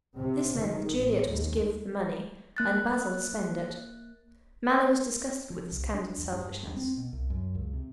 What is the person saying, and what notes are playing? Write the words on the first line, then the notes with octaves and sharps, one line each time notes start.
This meant that Juliet was to give the money and Basil to spend it. Mallow was disgusted with this candid selfishness.
C3
D#3
A1
D#2
A#3 F#6 A6
F3
C2
D4
E2
G2
E2
C4
B2
C2
F#2
C#2
C3